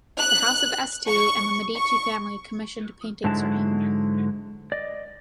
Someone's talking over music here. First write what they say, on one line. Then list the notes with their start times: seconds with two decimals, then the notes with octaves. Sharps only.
The House of Este and the Medici family commissioned paintings from him.
0.20 F#6
1.07 C#6
1.75 C#6
3.24 G#2 D3 F#3 G#3 E4 A5
4.72 D5 D#5